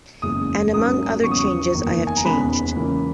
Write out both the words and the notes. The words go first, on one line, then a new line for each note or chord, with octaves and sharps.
And, among other changes, I have changed.
F#1 E2 C#3 G#3 D#6
G#1 G#2 F#3 A#3 C#4 D#6
E2 C#3 F#3 B3 C#6
D#6
C#6
F#1 E2 D#3 A#3
G#5
A#5
E1 D#2 C#3 G#3 B3 B5
C#2 C#3 E3 A#3 C#4